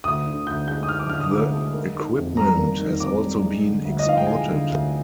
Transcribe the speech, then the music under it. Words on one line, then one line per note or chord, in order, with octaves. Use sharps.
The equipment has also been exported.
D2 D#6
D3
D2 G6
G#3 G6
D#6
D2 F6
D6
D3 F6
D#6
D2 D6
G#3
A#3
D#3
F2
G3 A#5
A#3
D#3
F2 D6
G3
G#3
D3
D2
D#5
F3 F5
G5
G#3 G#5
D3
D2